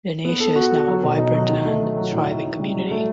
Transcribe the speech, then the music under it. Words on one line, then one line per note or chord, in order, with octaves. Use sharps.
Lenasia is now a vibrant and thriving community.
B3
A4
F#4
A4
F#3
B2
D#4
F#3
D#3
A3
F#3
F#3
A2
D#4
D#4
G3
F#3
A3